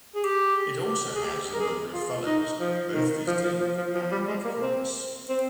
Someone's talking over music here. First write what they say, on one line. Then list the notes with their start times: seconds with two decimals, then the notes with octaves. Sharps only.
It also houses a number of fellows, both visiting and of Corpus.
0.16 G#4
0.25 G4
1.16 G#4
1.26 G4
1.54 A#4
1.60 G#4
1.93 F4
2.26 D#4
2.60 F3
2.94 D#3
3.27 F3
3.44 F3
3.61 F3
3.78 F3
3.95 F3
4.12 G3
4.28 G#3
4.45 A#3
4.62 C4
5.29 C4